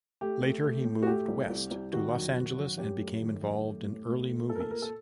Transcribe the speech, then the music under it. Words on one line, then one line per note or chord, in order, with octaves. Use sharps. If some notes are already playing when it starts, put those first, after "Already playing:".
Later he moved west to Los Angeles and became involved in early movies.
A3 G4
A3
A3
A2
F#4
A3 G4
C2
C2
C2
D#3 F#4
F#2
D#3
F#2
F#2 G4
A3
D#3
F#2
A3
A2
A3
A3
A#2 A4
A#4
A4
A#2 A#4
A4